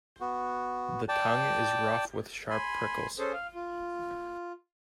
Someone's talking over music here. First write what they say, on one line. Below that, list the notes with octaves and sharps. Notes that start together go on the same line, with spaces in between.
The tongue is rough with sharp prickles.
B3 F#4
D5 G5 A5
G#5 B5 C6
C#4 G#4 A4 C5
F5
F4